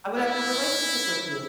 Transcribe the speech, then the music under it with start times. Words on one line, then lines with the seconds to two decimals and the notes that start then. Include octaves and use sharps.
I would have no relationship with you,
0.17 E4